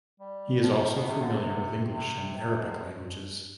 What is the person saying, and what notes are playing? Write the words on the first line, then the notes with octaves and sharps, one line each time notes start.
He is also familiar with English and Arabic languages.
G3
F3
C3
B2
C3
D3
C3
C3
C3
B2